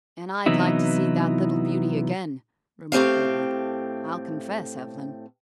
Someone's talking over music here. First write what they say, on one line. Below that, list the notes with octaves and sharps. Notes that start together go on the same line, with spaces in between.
"And I'd like to see that little beauty again," remarked Edward, "I'll confess, Evelyn."
C3 E3 F#3 B3 D#4 E4
A2 A3 C4 G4 F5